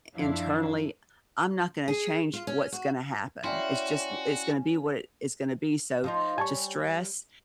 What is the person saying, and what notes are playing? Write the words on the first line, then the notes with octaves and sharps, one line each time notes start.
i internally, I'm not gonna change what's gonna happen; it's just it's gonna be what it's gonna be, so, to stress
F#2 F3 D4 E4 E5 F5
G#4
F4
C#4
F#4
C#4 E4 F#4 D5 F5 G5 C6
F3 D#4 F4
G3 C#5 G#5 A5 C#6